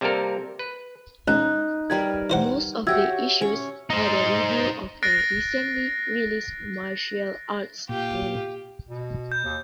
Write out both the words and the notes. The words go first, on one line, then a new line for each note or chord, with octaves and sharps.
Most of the issues had a review of a recently released martial arts film.
C3 G3 A#3 A4 A#4
B4
C#2 D#4 F#6
G3 A#4 B4 G#6
E3 C5 F#5
F#4 G4 C#5 E5 E6 G#6
C#4 C#5
D#4 C5
F#6 A6 A#6 C7 D7
A#2 F4 G4
B2
G6
D#2